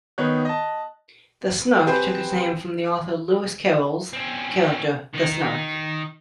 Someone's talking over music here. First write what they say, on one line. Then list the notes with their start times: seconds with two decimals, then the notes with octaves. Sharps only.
The Snark took its name from the author Lewis Carroll's character the "snark".
0.18 D#3 B3 D#4 C#5 F#6
0.45 D#5 A5
1.87 C4 G4 G#4 B4 C5
4.13 C4 C#4
5.14 D#3 D#4